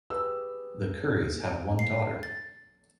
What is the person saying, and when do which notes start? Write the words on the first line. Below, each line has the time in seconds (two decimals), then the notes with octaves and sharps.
The Currys have one daughter.
0.10 G4 G#4 B4 E6
1.79 C7
2.23 A6